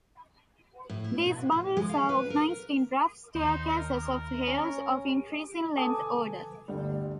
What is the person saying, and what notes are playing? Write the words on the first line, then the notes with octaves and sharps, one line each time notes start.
These bundles are organized in rough "staircases" of hairs of increasing length order.
A2
E4
B2
A2
G#3
F5
B4
A#4
D#2 D#4 C5
A#4
C#4
A4 B4 G#5 A5 D6 D#6
G1 D2 G3